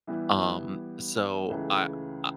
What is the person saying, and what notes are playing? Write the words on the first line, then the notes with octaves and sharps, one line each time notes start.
Um, so I I
E3 G3 B3 E4 G4
C#2 C#3 E3 A3